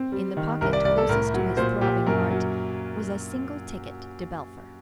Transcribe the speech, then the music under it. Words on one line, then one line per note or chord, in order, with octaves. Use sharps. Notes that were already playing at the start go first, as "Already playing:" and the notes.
In the pocket closest to his throbbing heart was a single ticket to Belpher.
Already playing: C4
G3
D#3
C2 A#4
D5
C2 D5
A4
A2 A#4
F#3
A#2 C5
A#2 G4
F#2 A#4
F#3